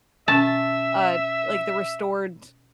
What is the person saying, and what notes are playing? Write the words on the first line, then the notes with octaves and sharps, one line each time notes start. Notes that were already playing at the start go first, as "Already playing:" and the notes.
uh, like, the restored,
B2 C#4 E5 A5